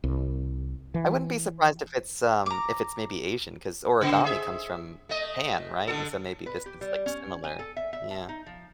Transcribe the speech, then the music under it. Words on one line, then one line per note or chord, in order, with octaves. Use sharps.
I wouldn't be surprised if it's, um, if it's maybe Asian 'cause origami comes from Japan, right, and so maybe this is, like, similar? Yeah.
C2
E3
A#5 D6
C#3 B3 C5
G#4 E5
A3 D#5
D3 A4
B4
G4
G3
C#4
G#5
A4
E5
E5
A5
D#4
F3